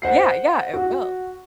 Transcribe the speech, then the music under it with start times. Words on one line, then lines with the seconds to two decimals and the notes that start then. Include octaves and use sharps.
Yeah, yeah, it will.
0.02 C5 F#5 C7
0.74 F#4